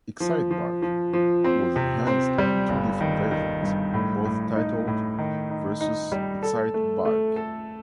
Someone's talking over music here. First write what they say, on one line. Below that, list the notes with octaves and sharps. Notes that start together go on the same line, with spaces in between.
"Excitebike" was enhanced in two different versions, both titled "Versus Excitebike".
F3
F3
F3
F3
C4
C3
C4
G3
G1
D#3
D#3
G2
A2
A2
D#4
A2
D#3
D#4
D#4
G3
A4
A3
A3
A4